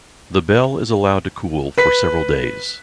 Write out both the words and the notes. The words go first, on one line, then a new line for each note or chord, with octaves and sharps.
The bell is allowed to cool for several days.
B4 B6